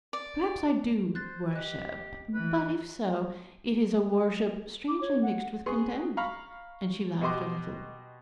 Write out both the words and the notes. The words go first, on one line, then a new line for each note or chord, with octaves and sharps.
Perhaps I do worship; but if so, it is a worship strangely mixed with contempt.' And she laughed a little.
D5
C5 F#6 A6
G4 D#5 F#6
E3 B4
D6
C#5
F#5
B3 G#4 C6 C#6
F5 A#5 B5 C#6 F6
B2 F#4 G4 D#5 C6 D6